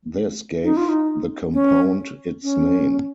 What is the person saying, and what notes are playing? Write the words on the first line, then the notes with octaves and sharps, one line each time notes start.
This gave the compound its name.
D#4
F4
D#4
C#4
C#4